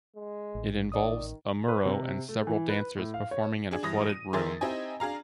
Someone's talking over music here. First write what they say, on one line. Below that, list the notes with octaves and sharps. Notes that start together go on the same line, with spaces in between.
It involves Amuro and several dancers performing in a flooded room.
G#3
A1
D#3 D5 D#6
B4
C3
A3
E3
B4
A2
F5
C#5
D4 G#4
G2 E3 D#6 A#6
D#7
D#3 G#4 A#4 E5 C6 A6
C4 D#4 E4 G4 D#5 G#5
D4 G#4 F5 A#5